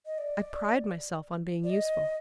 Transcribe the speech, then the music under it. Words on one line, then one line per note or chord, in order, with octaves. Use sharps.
I pride myself on being useful.
D#5
D5
D5
D#5